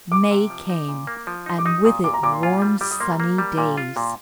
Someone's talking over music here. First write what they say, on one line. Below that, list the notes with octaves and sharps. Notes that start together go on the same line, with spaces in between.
May came, and with it warm sunny days.
C3 D6
C3
F3
D#4
A#2
A#3
F3
D#4
D6
D#4 D#6
A#2 D#6
A#2 D6
A#5
A#2 D6
C6
F4 G#5
G3
G3 D6
D#6
A#3 C6
A#5
A#3
G3
A#2
F4
A#2 C6